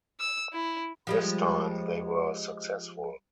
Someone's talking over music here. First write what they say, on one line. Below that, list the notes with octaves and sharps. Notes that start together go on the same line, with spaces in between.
This time, they were successful.
E6
E4
F3 G3 G#3